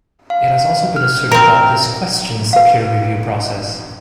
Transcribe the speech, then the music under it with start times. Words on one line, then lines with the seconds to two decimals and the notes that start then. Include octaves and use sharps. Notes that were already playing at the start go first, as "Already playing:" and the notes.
It has also been asserted that this questions the peer review process.
0.30 F5
0.96 F6
1.31 C4 A#4 A#5
2.53 B4 F5